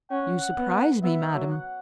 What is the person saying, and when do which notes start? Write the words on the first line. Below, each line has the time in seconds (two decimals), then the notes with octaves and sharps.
"You surprise me, madam."
0.11 C#4 F#5
0.58 B3
1.03 B3 E5
1.34 F#3
1.50 F#5